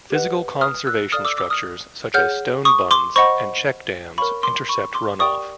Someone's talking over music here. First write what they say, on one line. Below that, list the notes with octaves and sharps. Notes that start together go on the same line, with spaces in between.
Physical conservation structures such as stone bunds and check dams intercept runoff.
G4 B4 D#5 F#5
D#6 F6
E6 F#6
A4 D5 F5 D#6 F6
D6 E6
D6 E6
D#6 F6
G#4 C#5 F#5 F6 G6
C#6 D#6
C6 D6
C5 D#5 F#5 B5 C#6
A#4 C#5 F5 B5 C#6
C6 D6
B5 C#6
C6 D6
G4 A#4 D5 G5 C#6 D#6